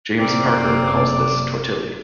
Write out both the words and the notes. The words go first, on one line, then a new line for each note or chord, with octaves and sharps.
James Parker calls this tortilly.
F#1 C3 A#3 C4 D5